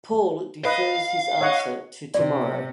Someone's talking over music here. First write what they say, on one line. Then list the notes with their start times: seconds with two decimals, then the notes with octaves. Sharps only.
Paul defers his answer to tomorrow.
0.65 B4 D#5 F5
1.41 C#5 D#5 F#5
2.14 C3 D5